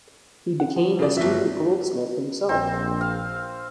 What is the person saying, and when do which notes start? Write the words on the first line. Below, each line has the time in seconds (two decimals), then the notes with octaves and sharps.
He became a student goldsmith himself.
0.60 F#5
0.76 F3
0.99 C#3 D5
1.17 G1 F3 F#4 E5
2.49 A#1 C4
3.01 F5